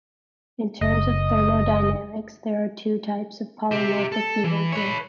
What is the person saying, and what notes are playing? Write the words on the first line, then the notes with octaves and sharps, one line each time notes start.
In terms of thermodynamics, there are two types of polymorphic behaviour.
F#1 D#5
G4 E5
A4
E3
B4 C#5